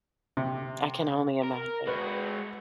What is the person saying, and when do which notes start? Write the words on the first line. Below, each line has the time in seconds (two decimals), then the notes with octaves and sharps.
I can only imagine.
0.37 C3
1.44 A#4
1.87 G#3 F#4 B4